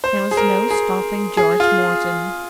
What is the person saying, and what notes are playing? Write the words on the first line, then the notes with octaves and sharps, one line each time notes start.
There was no stopping George Morton.
C5
G#4
A#4
G#4
G#4
F4